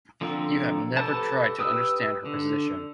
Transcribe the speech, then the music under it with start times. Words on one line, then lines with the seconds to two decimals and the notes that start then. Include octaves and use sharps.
You have never tried to understand her position.
0.21 D3 F3 A#3 C4
0.97 G4 A4 B4 C5 A5
1.59 G4 B4 D#6 E6
2.26 D3